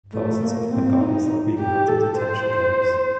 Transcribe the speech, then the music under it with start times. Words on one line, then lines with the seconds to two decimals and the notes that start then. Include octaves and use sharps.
Thousands of Bengalis are being held in Detention Camps.
0.13 A3
0.42 A#3
0.71 C4
1.00 D#4
1.59 G4
1.88 A4
2.18 C5